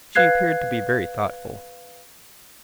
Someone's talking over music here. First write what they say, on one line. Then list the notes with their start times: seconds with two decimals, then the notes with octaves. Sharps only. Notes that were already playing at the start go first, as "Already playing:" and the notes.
She appeared to be very thoughtful.
0.15 B4 F5 F#6 G#6 C7